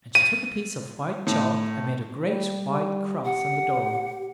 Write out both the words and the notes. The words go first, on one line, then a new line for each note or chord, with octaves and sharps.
And she took a piece of white chalk and made a great white cross on the door.
D#7
A2
G3
G3
G4 F#5